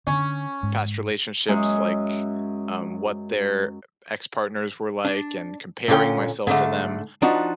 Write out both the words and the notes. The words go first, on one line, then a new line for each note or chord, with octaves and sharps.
past relationships, like, um, what their uh, ex-partners were like and comparing myself to them,
D3 C#4
G#2
F#2 G#3 C#4 E5 E6
D4
A#2 D3 C#4 A#4 G5
G#2 D3 A3
F3 D4 D#4 F#4